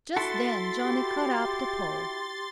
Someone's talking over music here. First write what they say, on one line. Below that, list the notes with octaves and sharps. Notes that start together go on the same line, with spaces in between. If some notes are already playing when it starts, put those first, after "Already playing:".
Just then Johnnie caught up the pole.
E4 F#4 A4 C6 A6
G4